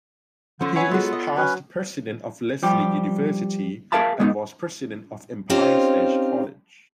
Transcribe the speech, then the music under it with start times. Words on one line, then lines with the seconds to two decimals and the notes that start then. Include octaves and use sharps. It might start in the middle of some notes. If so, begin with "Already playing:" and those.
He is past president of Lesley University and was president of Empire State College.
0.61 D3 F3 C#4
0.76 B4 C#5 E5 F#5 G#5
0.91 G#3 B3 F4 F#4 A4
1.13 D#5
1.37 F#3 C#4 B4
2.63 F3 G3 G4
3.92 G#4 A#4 E5 F5 A5 B5
4.20 G#3 B3 D#4
5.50 C4 C#4 D#4 F4 G4 C5